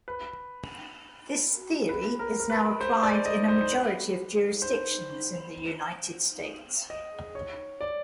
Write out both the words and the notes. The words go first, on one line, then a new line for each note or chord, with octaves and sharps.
This theory is now applied in a majority of jurisdictions in the United States.
B4
B4
A#4
A#4
B4
C5
D5
D#5
C5
C5
B4
C5
D#5
C#5
D5